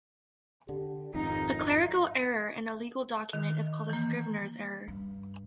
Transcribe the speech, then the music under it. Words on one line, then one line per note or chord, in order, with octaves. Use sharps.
A clerical error in a legal document is called a scrivener's error.
D3 G4
G#1 F2 D#3 D#4
D#3
E3 A#3
G2